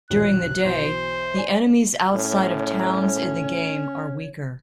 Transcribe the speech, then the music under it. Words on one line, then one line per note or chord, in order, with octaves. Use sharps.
During the day, the enemies outside of towns in the game are weaker.
E1 A#1 D#2 F#6
B1 E3 C5
C#5 D5 G#5
A2 C#4 C#5